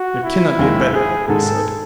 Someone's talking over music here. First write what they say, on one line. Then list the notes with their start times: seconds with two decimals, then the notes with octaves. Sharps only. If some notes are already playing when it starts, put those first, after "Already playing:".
There cannot be a better, he said.
Already playing: F#4
0.24 E4
0.59 D#2 D#3 G#3
0.94 G#4
1.28 G#2 D#3 G#3 A4